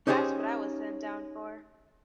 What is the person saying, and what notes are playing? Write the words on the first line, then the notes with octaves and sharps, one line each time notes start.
That's what I was sent down for.
C#4 D#4 G4 G#4 C5 C#5